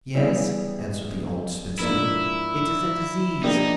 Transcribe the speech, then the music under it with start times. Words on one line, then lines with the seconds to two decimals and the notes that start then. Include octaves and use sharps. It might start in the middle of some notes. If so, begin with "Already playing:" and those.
"Yes," answered the old spinster; "it is a disease."
0.14 E3 G3 B3 E4 G#4
1.79 G#2 F3 A#3 D4 E4 F4
3.43 F3 A#3 D4 D#4 G4